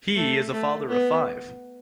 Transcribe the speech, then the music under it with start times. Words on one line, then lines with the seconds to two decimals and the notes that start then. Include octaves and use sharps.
He is a father of five.
0.16 A3
0.52 A3
0.89 B3